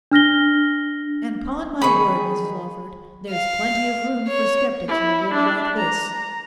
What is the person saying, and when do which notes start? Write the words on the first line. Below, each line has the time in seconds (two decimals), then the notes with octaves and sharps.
And 'pon my word, Mrs Lawford, there's plenty of room for sceptics in a world like this.'
0.11 D4 F6 A#6 G7
1.82 D#3 G#4 B5 C#6
3.30 F5
4.28 C#5
4.88 E4
5.34 D4
5.78 A#5